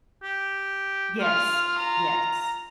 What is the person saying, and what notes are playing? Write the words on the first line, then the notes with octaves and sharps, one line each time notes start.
Yes, yes.
G4
F4 F6
A#5